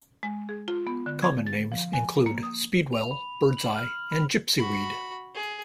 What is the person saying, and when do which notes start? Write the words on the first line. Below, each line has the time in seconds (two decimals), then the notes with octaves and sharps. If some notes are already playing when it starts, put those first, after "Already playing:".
Common names include speedwell, bird's eye, and gypsyweed.
0.23 G#3
0.49 G#4
0.68 F4
0.87 B3
1.06 D3
1.22 G#6
1.46 A6
1.72 F3
1.93 G#5
2.26 A#3
2.43 D#6
2.93 F7
3.11 B5
3.57 F#7
3.76 F6
4.12 B5
4.57 F#4 B5
5.35 G#4